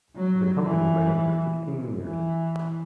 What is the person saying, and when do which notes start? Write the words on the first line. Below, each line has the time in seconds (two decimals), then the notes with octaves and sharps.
The company ran for sixteen years.
0.16 F#3
0.64 E3
2.04 E3